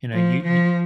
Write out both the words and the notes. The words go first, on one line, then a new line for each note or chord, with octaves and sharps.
you know you you
F3
F3